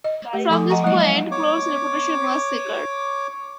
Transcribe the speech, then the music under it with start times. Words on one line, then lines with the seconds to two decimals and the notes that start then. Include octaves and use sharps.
From this point, Claude's reputation was secured.
0.04 D#5
0.33 A3 G4
0.49 F3 A3 A4 G#5 C6 D6
0.70 D#5 F#5 G#5 A#5 C#6
0.84 F#3 G#3 A#3 E4 D#5
1.00 D#5 F5
1.31 C#5 D6